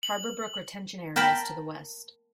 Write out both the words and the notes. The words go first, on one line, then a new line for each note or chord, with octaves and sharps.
Harbor Brook Retention area is to the west.
F#7
A#4 G5 A5 B5